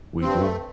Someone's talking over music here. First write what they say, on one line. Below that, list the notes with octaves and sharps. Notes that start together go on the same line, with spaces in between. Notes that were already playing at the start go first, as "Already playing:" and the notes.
We do.
G2 C4
A3